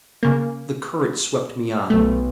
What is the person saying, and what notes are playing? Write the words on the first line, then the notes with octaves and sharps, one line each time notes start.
The current swept me on.
C#3 A#3
B1 A3